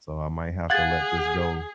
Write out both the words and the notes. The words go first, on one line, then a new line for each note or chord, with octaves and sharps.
so I might have to let this go,"
G#4 F5 F#5 G#6 A6